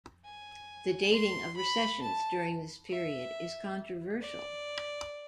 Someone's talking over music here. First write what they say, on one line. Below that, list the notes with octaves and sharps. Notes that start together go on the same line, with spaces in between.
The dating of recessions during this period is controversial.
G#5
C6
B5
A5
E5
D5